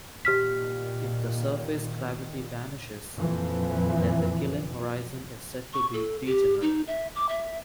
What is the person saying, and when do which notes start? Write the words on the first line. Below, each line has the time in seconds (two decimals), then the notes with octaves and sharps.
If the surface gravity vanishes, then the Killing horizon is said to be degenerate.
0.25 A#2 D#3 G4 F6 B6
3.15 F2 A#2 E3 F3
5.73 C#6
5.93 A4
6.26 G4
6.62 D#4
6.87 E5
7.15 D6
7.29 E5